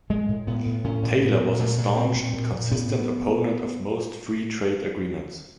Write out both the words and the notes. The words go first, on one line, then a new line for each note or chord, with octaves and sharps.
Taylor was a staunch and consistent opponent of most free trade agreements.
A2 G#3
A2
A2 B3
A2
A2 C#4
A2
A#2 B3
A#2
A#2 A3
A#2
A#2 C4
A#2
A#2
A#2
A2 B3